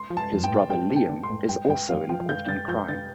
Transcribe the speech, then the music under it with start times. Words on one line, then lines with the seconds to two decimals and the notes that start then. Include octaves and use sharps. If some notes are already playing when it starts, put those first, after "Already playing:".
His brother Liam is also involved in crime.
Already playing: C6
0.10 F3
0.17 A5
0.33 F2
0.42 G2 G5
0.50 A2
0.69 G2 G5
0.90 C3
0.96 G5
1.09 D3
1.23 C6
1.30 A2
1.49 G2 G5
1.69 G2 G5
1.89 F2 F5
2.09 F3 G5
2.21 F3
2.29 D3 G6
2.48 D3 A6
2.68 F3 G6
2.88 D3 A6